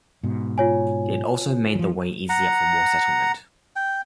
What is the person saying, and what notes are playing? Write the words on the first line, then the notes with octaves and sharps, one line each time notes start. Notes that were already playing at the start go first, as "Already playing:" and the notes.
It also made the way easier for more settlement.
G#2 B2
F4 C#5 G#5
F3 F#3
F#5 A#5
G5